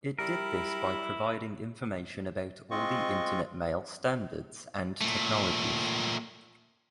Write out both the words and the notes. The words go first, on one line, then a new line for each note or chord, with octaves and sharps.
It did this by providing information about all the Internet mail standards and technologies.
G3 E4 A#4
G#3 C4 F4 D#5 C#6
A#2 A3